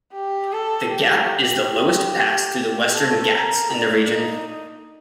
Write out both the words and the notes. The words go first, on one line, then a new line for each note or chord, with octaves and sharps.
The gap is the lowest pass through the Western Ghats in the region.
G4
A4
G4
A4
A#4
D4
D#4